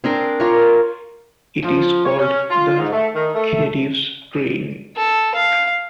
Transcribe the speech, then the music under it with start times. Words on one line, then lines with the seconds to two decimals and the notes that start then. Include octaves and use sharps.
It is called the Khedive's Train.
0.04 C4 D4 G#4 A#4 C5 G5
0.40 F4 G4 A#4 C#5
1.64 F3
2.05 C#5
2.18 C#4
2.49 F4
2.77 G#2
2.92 A3
3.14 D#3
3.33 A3
4.96 A4
5.35 F5